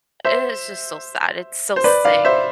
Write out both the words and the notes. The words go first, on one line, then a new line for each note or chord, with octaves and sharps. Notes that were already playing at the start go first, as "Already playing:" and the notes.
i it's just so sad. It's so sick,
C5 E5
C5
B4 D5
D5 F5
C5 E5